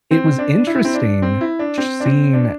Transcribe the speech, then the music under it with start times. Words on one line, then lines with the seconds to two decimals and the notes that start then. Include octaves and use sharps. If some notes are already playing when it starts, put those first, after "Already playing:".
it was interesting sh seeing
0.11 C4
0.39 D4
0.67 E4
0.85 C4
0.94 D4
1.22 C4
1.41 E4
1.59 D4
1.78 C4
2.00 D4
2.06 C4
2.33 D4